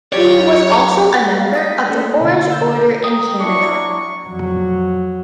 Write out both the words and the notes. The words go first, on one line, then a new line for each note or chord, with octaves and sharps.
He was also a member of the Orange Order in Canada.
F#2 G4 C#5 D5
F5
G5 D#6 B6
A3 A#3 C#4 A4
B2 D3
E6 G6
G5 A#5 D#6
D4 E4 C#6
F2 F#3